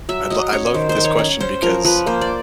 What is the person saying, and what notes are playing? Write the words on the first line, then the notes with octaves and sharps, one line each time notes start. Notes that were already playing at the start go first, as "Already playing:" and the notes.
I lo I love this question because
F#3 E5
F#3 D#5
C#4 C#5
D#3 C5
C5
D#3
C#5
C#4
C#4 C5
F3 A#4
F3 B4
A#3 C5
D5